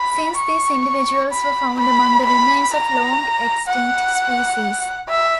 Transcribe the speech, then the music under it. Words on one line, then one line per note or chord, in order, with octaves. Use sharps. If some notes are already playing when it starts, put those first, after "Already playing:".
Since these individuals were found among the remains of long-extinct species.
Already playing: B5
C#6
B5
B5
B5
A#5
F#5
E5